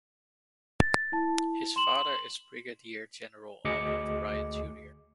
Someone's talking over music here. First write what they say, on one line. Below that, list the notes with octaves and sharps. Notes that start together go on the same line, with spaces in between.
His father is Brigadier General Albert Bryant Jr.
A6
E4 A5
C6 E7 F#7
D2 G#4 D#5 D6 C#7